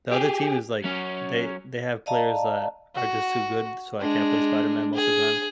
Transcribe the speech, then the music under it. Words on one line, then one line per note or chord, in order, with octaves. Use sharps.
the other team is, like they they have players that are just too good, so I can't play Spider Man most the time.
G4 G#4
F#3 C#4
D5 D#5 F5 A5 A#5
F#4
G#3 D4
G#4